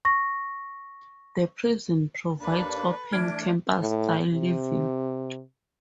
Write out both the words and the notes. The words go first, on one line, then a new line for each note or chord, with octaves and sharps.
The prison provides open campus-style living.
C#6 A#6
D#2 A#3 D4 A4 B4
E3 A3 D4 F6 G#6 D7
A2
C3